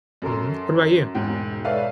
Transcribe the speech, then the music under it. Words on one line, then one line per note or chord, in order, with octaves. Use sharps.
Mhm. What about you?
F#2 A4 A#4 C6
E1 G#2 G5
A4 B4 C#5 D5 E5 F5